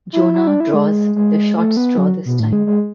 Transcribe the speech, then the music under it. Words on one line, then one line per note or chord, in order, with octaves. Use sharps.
Jonah draws the short straw this time.
E4
E4
D4
E4
G#3
G#3
A3
B3
F#3
B2
A2
G#3
G#3